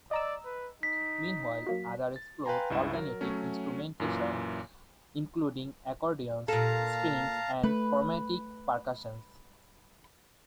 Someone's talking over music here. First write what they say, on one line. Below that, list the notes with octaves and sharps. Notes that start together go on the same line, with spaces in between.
Meanwhile, others explored alternative instrumentation, including accordions, strings and chromatic percussion.
D5 D#5 A#5 E6
B4
D#4 B6
F#3 A#3 F#4
A6
B4 F5 G5 G#5 A#5 C6
C#2 G2 E4 E7
F#3 A#4
F#3 A3 C#4
F#2 A#2 E3
A#2 A4 F5 A5 A#5
A3 B4